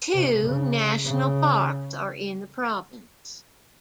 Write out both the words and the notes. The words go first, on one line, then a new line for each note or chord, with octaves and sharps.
Two national parks are in the province.
C3
C#3
C#3